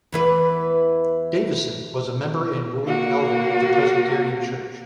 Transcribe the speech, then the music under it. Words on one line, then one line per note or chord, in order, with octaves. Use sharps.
Davisson was a member and ruling elder of the Presbyterian Church.
E2 E3 B4
A#3 F#4